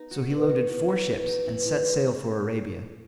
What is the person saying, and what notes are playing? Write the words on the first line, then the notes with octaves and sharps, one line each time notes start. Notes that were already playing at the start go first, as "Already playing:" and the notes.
So he loaded four ships and set sail for Arabia.
Already playing: B3 D#4
F#4
B3
F#4
E3
F#4
E3
D#4
E3
E3
G#3